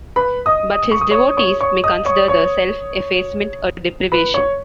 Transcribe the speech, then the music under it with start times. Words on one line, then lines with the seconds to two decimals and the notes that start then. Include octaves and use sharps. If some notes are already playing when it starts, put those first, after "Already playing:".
But his devotees may consider the self-effacement a deprivation.
0.16 B4 B5
0.46 D#5 D#6
0.91 C#6
1.01 D#6
1.11 C#5 C#6
1.37 C#5 C#6
1.61 C#5 C#6
1.84 D#5 D#6
2.05 C#5 C#6
2.28 C#5 C#6
4.12 B4 B5
4.34 C#5 C#6